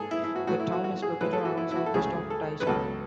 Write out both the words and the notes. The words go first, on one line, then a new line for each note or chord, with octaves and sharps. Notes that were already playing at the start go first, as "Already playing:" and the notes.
The town is located around southwest of Taishan.
Already playing: G#2 G#3 G#4 A4
E4
E4
F#4
A2 F#3 A3 F#4
E4
F#4
F#4
G#4
A2 E3 G#3 B4
A4
F#4
E4
E4
F#4
A4
C#2 C#3 F#3 A3 G#4
A4
B4
C#2 B2 F#3 A4